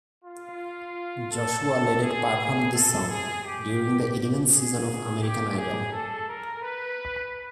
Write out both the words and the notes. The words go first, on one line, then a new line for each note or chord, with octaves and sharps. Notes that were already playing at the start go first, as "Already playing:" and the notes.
Joshua Ledet performed this song during the eleventh season of American Idol.
F4
A4
G#4
A4
G#4
G4
G#4
G4
G#4
A4
A#4
B4